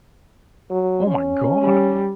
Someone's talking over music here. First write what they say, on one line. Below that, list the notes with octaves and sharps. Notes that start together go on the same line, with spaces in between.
Oh my god."
F#3
C#4
G3